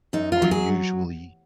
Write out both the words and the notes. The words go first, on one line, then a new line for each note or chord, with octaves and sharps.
or usually
F#2 D#4
F4
F#3
G#4